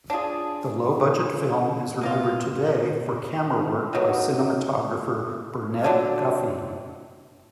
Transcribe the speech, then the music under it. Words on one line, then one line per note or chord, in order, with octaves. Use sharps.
The low-budget film is remembered today for camera work by cinematographer Burnett Guffey.
D4 F4 G#4
B2 A#3 F4
D#3 F#3 B3
D3 F#3 D4